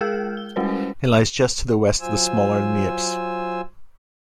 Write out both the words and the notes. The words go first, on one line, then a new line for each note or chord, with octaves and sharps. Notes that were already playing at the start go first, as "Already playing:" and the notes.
It lies just to the west of the smaller Niepce.
G#3 G#4 A#4 E6 F6 G6
G7
G3 G#3 C#4 F#4 B4 C5
F#3 F4 C5 G#5 E6